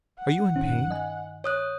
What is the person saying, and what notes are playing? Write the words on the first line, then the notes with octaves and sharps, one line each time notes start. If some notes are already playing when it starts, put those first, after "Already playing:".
"Are you in pain?"
F#5
G2 D#3 C#4 D#4
D#5 G#5
C#5 D#6 F#6